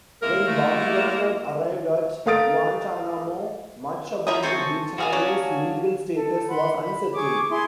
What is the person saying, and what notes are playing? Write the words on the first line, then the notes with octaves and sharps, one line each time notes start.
When Bumgarner arrived at Guantanamo, much about the detainees' legal status was unsettled.
G#3 A#3 E4 A#4
A3
A3 A#4 F5 D#6 A6 D7
F3 E4 A#4 E5 F5 D#6
C4 A4 C5 G#5 C#6
D4 F#4 G#4 F5 G#5
F#3 C#4
A4
F#5 B5 C6
B5
G#4 C#6 D6
E4 G#4 C6